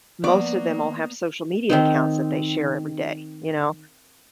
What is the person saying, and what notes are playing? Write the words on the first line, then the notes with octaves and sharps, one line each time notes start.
most of them all have social media accounts that they share every day, you know?
F3 A#3 B3 D5 F#5 C#6
D#3 C4 D#4